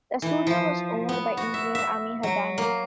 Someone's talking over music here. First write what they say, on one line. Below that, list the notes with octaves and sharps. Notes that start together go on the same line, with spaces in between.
The studio was owned by engineer Ami Hadani.
E3
F3
B3
F#4
E5
E5
F#3
A#3